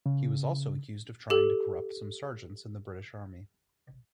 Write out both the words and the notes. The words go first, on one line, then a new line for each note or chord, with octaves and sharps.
He was also accused of trying to corrupt some sergeants in the British Army.
C#3
G4 A4